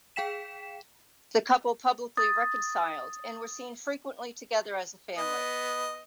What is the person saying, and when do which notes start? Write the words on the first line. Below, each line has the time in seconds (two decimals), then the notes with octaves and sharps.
The couple publicly reconciled and were seen frequently together as a family.
0.16 G#4 F5 G5 B6 E7
2.17 D#6 A6
5.17 B3 D#5